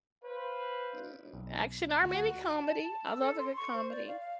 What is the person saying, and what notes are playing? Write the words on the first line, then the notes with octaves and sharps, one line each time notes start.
Mm, action or maybe comedy, I love a good comedy.
B4 C5 F5
B1
D2 F#4 F#5
A5
A5
E6
A4
C6
C#6
C5
D5
F5
F5